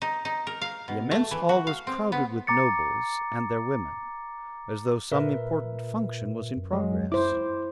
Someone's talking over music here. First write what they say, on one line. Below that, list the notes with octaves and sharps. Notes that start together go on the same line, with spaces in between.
The immense hall was crowded with nobles and their women, as though some important function was in progress.
D#4
D#4
A#4
F5
B2
A3
E3
F#4
F5
C4
B3
A#5 D6 A6 C#7
A#2 A#4 B4 E5
F#2
F#3 G#3
E4 C5 D6